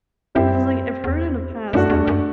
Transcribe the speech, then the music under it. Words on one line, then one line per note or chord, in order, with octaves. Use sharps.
'cause, like, I've heard in the past that, like,
F#2 G3 C4 E4 G4
E2
F#2 A3 D4 F#4
E2
F#2